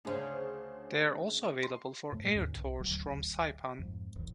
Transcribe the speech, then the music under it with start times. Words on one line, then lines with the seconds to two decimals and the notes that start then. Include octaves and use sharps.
They are also available for air tours from Saipan.
0.05 D2 C#3 D4 G#4 C5
1.63 C6
2.12 F#2 A2 A3
2.36 D#2 G#2 D3 C#4
2.56 C2
2.79 D#1 A1 D2 F#3
3.79 F2 G#2
4.16 D#1 A1 E2